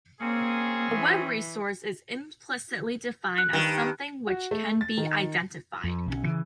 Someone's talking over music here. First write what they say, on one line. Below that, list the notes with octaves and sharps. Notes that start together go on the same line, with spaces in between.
A web resource is implicitly defined as something which can be identified.
A#3 C4 C#4 G#4
E3
F#6
G2 D#3
F#4
A3
A6
D#3
F2
B1 F3 C#4
C#3 E3